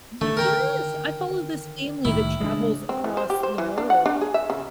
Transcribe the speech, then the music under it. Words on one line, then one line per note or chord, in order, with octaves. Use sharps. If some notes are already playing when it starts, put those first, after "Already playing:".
Y yes. I follow this family that travels across the world
D3 D#3 A3
A#4 G5 A#5
C2 A2 D#3 E4
A1 C#3 G#3 D4
C4
E3
C5
G4
C5
E3
D4
F#5
D4
G#4
E5
C#3